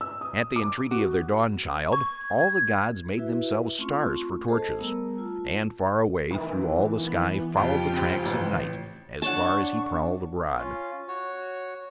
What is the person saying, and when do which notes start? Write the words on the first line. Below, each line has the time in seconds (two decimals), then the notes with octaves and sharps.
At the entreaty of Their Dawnchild all the gods made Themselves stars for torches, and far away through all the sky followed the tracks of Night as far as he prowled abroad.
0.01 E6
0.21 D#6
0.56 D6
0.91 F#4
1.92 C#6 G#6
3.18 E4 F#4 B4 E5
3.79 A3 C4 C#4 F4 C6 C#6
4.48 G#4 A4 C5 D#5 A5
4.78 G3 A3 B3 A#4 A#5 E6
5.18 F4 A5
6.30 B1 D#3 E3
7.05 B3
7.57 F2 F4 G4 G5
7.93 C#3 F3 C4
8.25 A1
9.22 D4 G#4 C#5 F#5 A5 C#6
10.58 C#4 F4
11.08 F#4 C#5